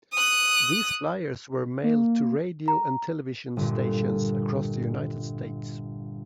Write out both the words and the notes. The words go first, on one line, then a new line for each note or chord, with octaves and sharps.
These flyers were mailed to radio and television stations across the United States.
D#6 F#6
A#3
A#5
G1 A#2